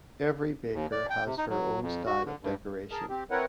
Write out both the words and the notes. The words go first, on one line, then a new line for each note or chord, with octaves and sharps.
Every baker has her own style of decoration.
D#2
D5
G5
C3
D#4
F#3
F2
F#4
D3
G2
G#4 A#4 A5
C4 G4
C4 E4 A#4 B4 C#5 F#5